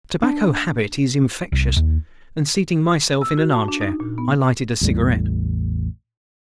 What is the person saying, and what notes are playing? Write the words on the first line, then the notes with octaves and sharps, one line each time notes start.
The tobacco habit is infectious, and, seating myself in an arm-chair, I lighted a cigarette.
D4
C2
D#2
E6
F#4
A5
D4
D#4
A#2
B3
A1 E2 A2 G3